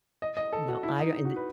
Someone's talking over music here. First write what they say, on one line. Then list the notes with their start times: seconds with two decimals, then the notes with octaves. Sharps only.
you know, I and i
0.22 D#5
0.37 D#5
0.53 A4
0.68 F#4
0.83 E4
0.99 D#4
1.25 F#4
1.36 B4